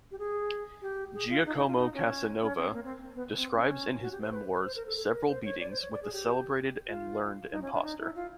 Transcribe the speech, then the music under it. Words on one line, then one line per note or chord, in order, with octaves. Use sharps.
Giacomo Casanova describes in his memoirs several meetings with the "celebrated and learned impostor".
G4
G#4
G4
G#4
F4
D#4
D#4
F4
D#4
C#4
C#4
C4
A#3
C4
B3
C4
C#4
F#4
G4
C5
B4
C5
A#4
A4
A4
A#4
C5
C#5
D5
C5
C#5
D5
G#4
G4
F4
D#4
C#4
D4
D#4
E4
F4